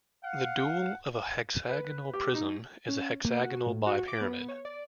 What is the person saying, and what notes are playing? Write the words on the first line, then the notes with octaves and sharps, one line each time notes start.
The dual of a hexagonal prism is a hexagonal bipyramid.
F5 F#5
B4
G4
D#4
C#4
A#3
F#4
A2
F#4
D6
B3
C#5
D5